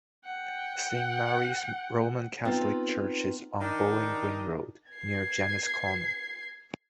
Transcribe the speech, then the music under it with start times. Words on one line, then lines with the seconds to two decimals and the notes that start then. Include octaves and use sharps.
Saint Mary's Roman Catholic Church is on Bowling Green Road, near Janet's Corner.
0.25 F#5 G5
2.45 B3 C4 D#4 F4
3.59 D#3 D4 D#4
4.92 G#6 C7